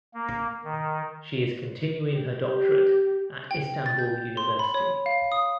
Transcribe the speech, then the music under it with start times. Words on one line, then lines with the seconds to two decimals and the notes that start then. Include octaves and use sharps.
She is continuing her doctorate at Istanbul University.
0.14 A#3
0.64 D#3
2.13 G4
3.51 G5
3.86 A6
3.99 G6
4.37 C6
4.59 B5
4.74 C#5
5.06 F5
5.32 D#6